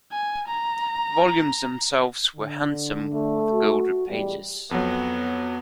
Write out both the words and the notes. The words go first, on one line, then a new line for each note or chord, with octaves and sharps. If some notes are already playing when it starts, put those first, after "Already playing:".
The volumes themselves were handsome, with gilded pages.
G#5
A#5
D3
A3
F#4
E2 A2 G3 G#3
F2 F#3 B3